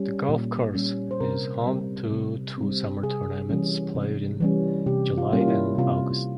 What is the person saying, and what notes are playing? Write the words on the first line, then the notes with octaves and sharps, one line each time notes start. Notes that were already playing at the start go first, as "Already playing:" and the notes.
The golf course is home to two summer tournaments played in July and August.
Already playing: G3 C#4
A#2
G3 C#4
C5
C3 A#4
G3 C4
C3
G3 C4
C3 G#4
E3 G3 C#4
C3
E3 G3 C#4
C3 G4
F4
G3 A#3 C#4
F4
E4
C3 F4